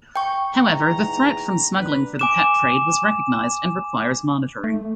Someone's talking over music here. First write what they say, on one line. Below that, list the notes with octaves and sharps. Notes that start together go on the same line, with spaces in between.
However, the threat from smuggling for the pet trade was recognised and requires monitoring.
G5 C#6
E2 G#2 A#5
D4 B4
G#5 D6 E7
A3